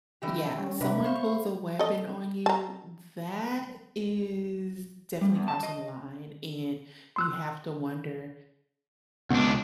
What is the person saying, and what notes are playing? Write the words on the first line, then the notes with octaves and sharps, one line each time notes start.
Yeah, someone pulls a weapon on you, that is definitely crossing the line, and you have to wonder,
D3 E3 G4
G3 C#4
G#2 C3 D4 B4 E5 B5
C5 F5 C#6
A4 D#5
A5 A#5
G3
E2
A5
D#5
C6 E6 F#6
C#2 B3 D4